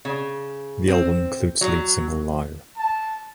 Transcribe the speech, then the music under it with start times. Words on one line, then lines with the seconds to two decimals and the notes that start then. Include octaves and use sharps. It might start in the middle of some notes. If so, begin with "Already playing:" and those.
The album includes lead single "Liar".
0.05 C#3
0.88 C4
1.61 F#3
2.77 A5